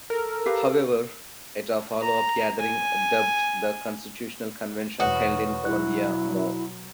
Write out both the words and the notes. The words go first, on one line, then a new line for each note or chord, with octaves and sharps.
However, at a follow-up gathering dubbed The Constitutional Convention, held in Columbia, Mo.
A4 A#4
G4 B4 F5
A#5
G#5
E2 B2 F#4 B4 C#5 D#6
B2 F#3 E4 F#6